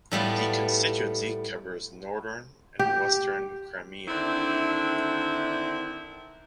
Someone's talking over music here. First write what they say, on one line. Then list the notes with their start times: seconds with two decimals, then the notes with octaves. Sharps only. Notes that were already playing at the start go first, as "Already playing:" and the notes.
The constituency covers Northern and Western Crimea.
0.11 A2 G3 B3 F4
2.79 G4
4.08 D3 D#3 C4 D4 E4 E5